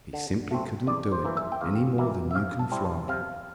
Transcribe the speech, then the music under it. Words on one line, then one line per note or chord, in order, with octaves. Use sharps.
He simply couldn't do it, any more than you can fly.
D3
A3 C4
E2 D5
C5
E3 A#3 E4
E5
G5
E2 F5
E3 A#3 E4
E5
C3 F5
A5
G3 C4 E4
A5
C3 F5